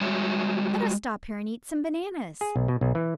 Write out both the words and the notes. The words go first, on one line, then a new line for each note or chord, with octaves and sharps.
Let us stop here and eat some bananas.
G3 G#3 F#4 C#5 E5
G#4
B1
B2
B1
E3